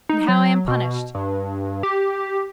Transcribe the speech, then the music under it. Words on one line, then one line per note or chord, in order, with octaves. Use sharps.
And how I am punished!
D#4
F#3
B2
G2
G4